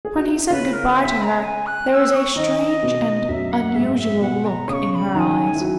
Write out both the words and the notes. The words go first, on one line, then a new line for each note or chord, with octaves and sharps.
When he said good-by to her, there was a strange and unusual look in her eyes.
G#4
F#4
E4
D#4
C#3 C#4 B4
A#4
F#5
E5
B5
A#5
G#5
F#6
F#6
E6
D#6
C#6
D#3 D#4 D#5
B2 B3
F#2 F#3 E5
F#5
G#2 G#3 E5
E5
B2 B3 F#5
A#5
C#3 C#4 D#6
C#6
C#6
B5
D#3 D#4 G#5 A#5
E4
F#3 F#4